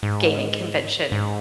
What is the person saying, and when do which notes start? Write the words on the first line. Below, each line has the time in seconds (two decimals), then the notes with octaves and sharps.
gaming convention,
0.03 G#2
1.12 G#2